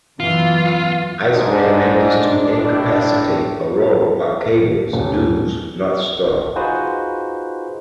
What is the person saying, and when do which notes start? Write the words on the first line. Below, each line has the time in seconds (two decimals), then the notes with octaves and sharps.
Iceman manages to incapacitate Aurora while Cable subdues Northstar.
0.20 F#2 E3 B3 F4
1.35 G#2 D4 D#4 C5
2.57 A2
4.93 D#1
6.56 D#4 F4 F#4 G#4 B4 C5